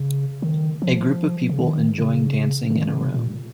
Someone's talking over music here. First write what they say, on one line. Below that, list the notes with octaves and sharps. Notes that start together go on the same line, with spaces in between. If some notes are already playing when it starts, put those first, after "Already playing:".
A group of people enjoying dancing in a room.
Already playing: C#3
D#3
F3
C#3
D#3
C#3
C#3
D#3
C#3
C3
A#2